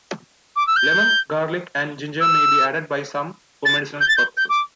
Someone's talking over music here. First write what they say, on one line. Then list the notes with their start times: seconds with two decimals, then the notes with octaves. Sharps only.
Lemon, garlic and ginger may be added by some for medicinal purposes.
0.56 D6
0.67 E6
0.76 G6
2.21 E6
3.65 A6
4.01 G6
4.08 A6
4.17 G6
4.37 G6
4.49 D6